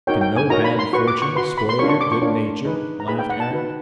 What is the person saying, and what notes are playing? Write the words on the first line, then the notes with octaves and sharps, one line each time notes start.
"Can no bad fortune spoil your good nature?" laughed Eric.
D#4 F#4 A#4 C#5 G5
G5
G#5
D#4 F#4 A#4 C#5 A#5
B5
C6
F#4 B4 C#6
D6
C#6
F#4 B4 C6
B5
C6
D4 F4 A#4 C#5 C#6
C#6
D6
C#6
D4 F4 A#4 C#5
D#4 G#4 B4
A#5
D#4 G#4 B4 B5
G5
F#5
A5
D#4 F#4 B4